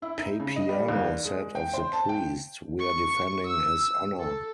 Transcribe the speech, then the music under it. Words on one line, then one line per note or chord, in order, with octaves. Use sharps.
Papiano said of the priest: We're defending his honor.
E4
D#4
C#3
D#5
G3
D#2
D5
G#3
G5
C5
A5
G5
C#6
E6
A4